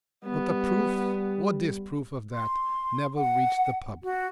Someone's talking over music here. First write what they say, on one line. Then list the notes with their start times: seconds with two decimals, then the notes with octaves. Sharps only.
But the proof or disproof of that never reached the public.
0.25 G3 B3
2.33 C6
3.16 F#5
4.03 F#4